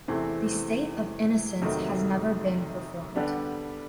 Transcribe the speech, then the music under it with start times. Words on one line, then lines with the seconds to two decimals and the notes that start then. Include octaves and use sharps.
"The State of Innocence" has never been performed.
0.08 E2 C3 E3 A3 C4
1.62 F2 C3 D#3 F#3 A3
3.15 D3 G3 B3 D4 G4